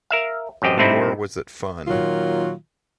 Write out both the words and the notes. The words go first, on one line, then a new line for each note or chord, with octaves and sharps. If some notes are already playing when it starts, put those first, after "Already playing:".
Nor was it fun.
A#4 E5 F5
A1 F#2 C4 G4 D#5
G2 C3 A3 C4 D#4 E4
A#2 D#3 F#3 F4